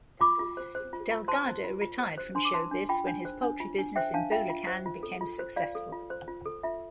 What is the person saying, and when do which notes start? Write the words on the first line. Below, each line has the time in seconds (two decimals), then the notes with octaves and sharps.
Delgado retired from showbiz when his poultry business in Bulacan became successful.
0.21 F4 B5 D6
0.39 F4
0.57 C5
0.75 C5
0.93 F4
1.11 F4
1.28 C5 A5 C6
1.46 C5
1.64 F4
1.82 F4
2.00 C5
2.18 C5
2.35 D4 C6
2.45 D6
2.53 C5 A5 C6
2.71 D4
2.89 F4 G5 B5
3.07 D4
3.25 C5
3.42 D4
3.60 F4
3.78 D4
3.96 C5 E5 G5
4.14 D4 F5 A5
4.31 F4 E5 G5
4.50 F4
4.67 C5
4.86 F4
5.03 A4
5.21 F4
5.39 C5
5.56 F4 D5 F5
5.75 A4
5.92 F4
6.10 C5
6.28 F4
6.46 A4
6.63 F4 E5